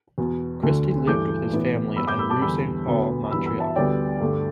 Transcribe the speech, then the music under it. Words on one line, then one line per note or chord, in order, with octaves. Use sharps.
Christie lived with his family on Rue Saint-Paul, Montreal.
E2 B2 B3
D2 D3 A3
G2 E3 A3 D6 G6
A2 E3 B3
G2 G3 B3 B5 E6
D6 G6
B5 E6
A5 D6
E2 D3 G3 B5 E6
D2 D3 B3
G2 E3 B3 B5 E6
B5 E6
E5 A5
D2 D3 G3 B3 D5 G5
G2 D3 A3